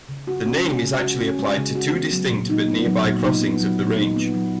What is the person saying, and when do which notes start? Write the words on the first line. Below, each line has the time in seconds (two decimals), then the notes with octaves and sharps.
The name is actually applied to two distinct but nearby crossings of the range.
0.09 C#3
0.27 F#4
0.46 C#4
0.65 G#3
0.82 C#3
1.01 F#4
1.20 C#4
1.39 G#3
1.57 C#3
1.75 F#4
1.94 B3
2.12 F#3
2.31 A#2
2.50 D#4
2.68 B3
2.86 F#3
3.04 A#2
3.23 D#4
3.42 B3
3.60 F#3
3.79 A#2
3.97 D#4
4.16 B3
4.34 F#3